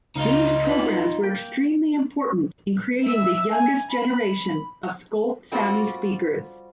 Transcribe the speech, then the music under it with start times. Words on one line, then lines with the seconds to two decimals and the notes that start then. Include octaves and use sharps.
These programs were extremely important in creating the youngest generation of Skolt Sami speakers.
0.16 C#2 D#4 F4 F5
0.67 B3 B5
1.23 A#3 G5
3.03 E5 E6
3.51 G#5
3.91 B5
5.52 G3 C4 F4 F#4 A4 D5